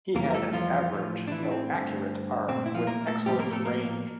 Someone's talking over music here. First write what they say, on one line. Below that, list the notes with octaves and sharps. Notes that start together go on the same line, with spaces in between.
He had an average, though accurate, arm with excellent range.
F2 E3 G3 A#3 A#4
A#4
A3 A4
F3 F4
A2 F3 A3
D4
E3 E4
D4
C4
G2 D3 A3
A#2 A3 C4
E4
F3 F4
A#3 A#4
A3 A4
A2 F3 G3 A#3 G4
A#3 A#4
A3 A4
A#3 A#4
A#3